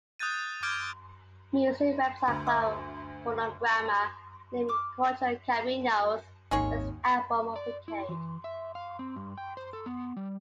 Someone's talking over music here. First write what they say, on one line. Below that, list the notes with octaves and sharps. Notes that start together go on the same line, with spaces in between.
Music website Club Fonograma named Cuatro Caminos best album of the decade.
D#6 F#6 G6 A6 D#7
D6 F6 G6 G#6 D7 G7
D2 A#4
E5 C#6 E6
D6 F6
G#1 D#2 G#3 C4 C#4 G#4 C#5 D#5
D5
E4
E3
E5
F5
C4
G2
G5
C5
A4
B3
G3